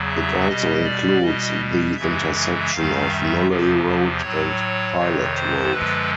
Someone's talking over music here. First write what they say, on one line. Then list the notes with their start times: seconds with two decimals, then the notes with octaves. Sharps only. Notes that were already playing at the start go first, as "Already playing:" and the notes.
It also includes the intersection of Nolley Road and Pilot Road.
Already playing: E2 C#3 F#3
0.09 E5
0.47 B2 G3 D#5
0.84 D5
1.21 B2 G3 D#5
1.97 F#2 C#3 E3 G#3 E5
2.34 E5
2.72 F#2 D#3 G3 F5
3.09 E5
3.47 E2 C3 F3
4.21 A2 F#3 C#5
4.96 F2 C3 D#3
5.34 C5
5.71 F#2 D3 F3 G#3 B4